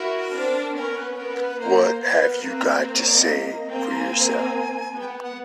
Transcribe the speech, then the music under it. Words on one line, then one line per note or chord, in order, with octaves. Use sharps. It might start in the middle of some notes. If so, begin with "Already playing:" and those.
What have you got to say for yourself?
Already playing: E4 F#4 A#4
C4 D4
B3 C#4 A#4
B4
B3 A#4
B4
A#3 C5
B3 C5
B4
A#4
A#3 C4 B4
C5
C#5
D5
D#5
A#3 C4 G5
C6
G#5
B3
G5
F#5
F#5